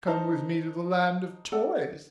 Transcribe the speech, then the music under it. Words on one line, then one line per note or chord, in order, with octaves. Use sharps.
Come with me to the Land of Toys.
D#4 A#4 C5 A5
A4 D5 F#5